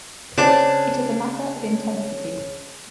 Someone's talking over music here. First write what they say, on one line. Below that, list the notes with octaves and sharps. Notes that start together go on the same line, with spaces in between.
It is a matter of intensity.
C#3 C4 D4 A5